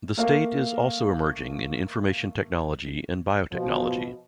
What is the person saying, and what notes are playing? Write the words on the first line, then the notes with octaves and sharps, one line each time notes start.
The state is also emerging in information technology and biotechnology.
A3 A#3 A#4 F5
B2 F3